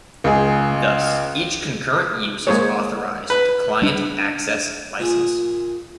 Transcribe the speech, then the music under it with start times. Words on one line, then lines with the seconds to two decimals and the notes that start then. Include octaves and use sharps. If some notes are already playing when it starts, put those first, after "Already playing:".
Thus each concurrent use is authorized with a client access license.
0.24 C#2 G#4
2.47 G#3 A#3 G#4 C5 C#5
3.30 B4
3.82 G3 D4
4.99 A#2 G#4